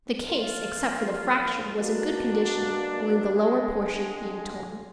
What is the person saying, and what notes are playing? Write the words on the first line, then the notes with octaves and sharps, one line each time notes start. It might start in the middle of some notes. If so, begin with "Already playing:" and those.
The case, except for the fracture, was in good condition, only the lower portion being torn.
F3 A#3 F4
B2 A#3 D4 F#4
F2 D3 G#3